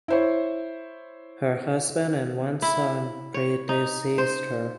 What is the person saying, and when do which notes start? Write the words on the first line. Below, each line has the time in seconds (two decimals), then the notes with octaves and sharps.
Her husband and one son predeceased her.
0.08 E4 C5 C#5
2.62 E4
3.34 C#5
3.69 D#4
4.18 C5